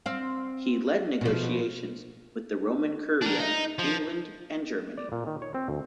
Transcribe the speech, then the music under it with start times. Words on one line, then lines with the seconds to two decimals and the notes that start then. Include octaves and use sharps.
He led negotiations with the Roman Curia, England and Germany.
0.06 C4 F5
1.21 B2 F3
3.21 D4 A#4
3.39 D#4
3.79 F3
4.97 D5
5.12 A#2
5.27 D#3
5.42 C#5
5.54 C4
5.68 D2